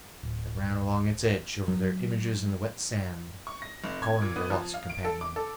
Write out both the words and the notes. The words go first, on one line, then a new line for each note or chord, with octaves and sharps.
They ran along its edge over their images in the wet sands, calling their lost companion.
D1
F#3
C#6
A#6
F1
G#6
A#2
B3
F3
F5
D7
A4
D6
A4